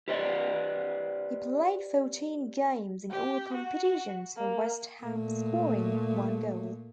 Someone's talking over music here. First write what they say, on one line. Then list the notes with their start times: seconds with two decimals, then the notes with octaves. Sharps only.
He played fourteen games in all competitions for West Ham scoring one goal.
0.08 G4 B4 C5 D5 D#5
3.11 G4
3.53 F#4
4.36 A#3
5.04 A#2 A3